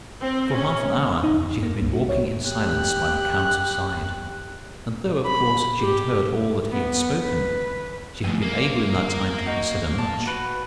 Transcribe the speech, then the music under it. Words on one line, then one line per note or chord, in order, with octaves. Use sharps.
For half an hour she had been walking in silence by the count's side; and though, of course, she had heard all that he had spoken, she had been able in that time to consider much.
C4
C#4
D#4
F2
A#3
C2
F#4
C#5
G4 F#6
B5
G4
B3
B4
F2 A2 E5 G#5
A#3
D#4 F#4
A5
F#4 B4